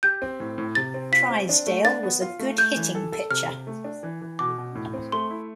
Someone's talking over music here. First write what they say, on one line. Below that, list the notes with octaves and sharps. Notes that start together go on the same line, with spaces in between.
Drysdale was a good hitting pitcher.
G4 G6
C4
A2
A2
C3 A6
C4
F4 B6
C4
D4
A3
D4 A6
B3
F4
A3
A3 G6
E3
A4
A4
C3 F6
C3
A3
D4
E3
E3
B2 D6
B2
A2
C4
A3 C6
E4